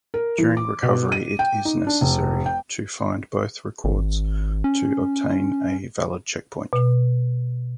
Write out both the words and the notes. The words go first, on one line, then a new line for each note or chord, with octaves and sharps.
During recovery it is necessary to find both records to obtain a valid checkpoint.
A#4
E3
D6
B2
D#7
G5
D#4
D4
F1
G5
G#1
C#4
B2